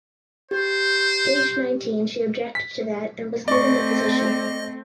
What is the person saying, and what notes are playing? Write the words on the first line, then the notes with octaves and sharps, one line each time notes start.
Aged nineteen she objected to that and was given the position.
G4 C5
B6
A3 C4 D5 D#5 C#6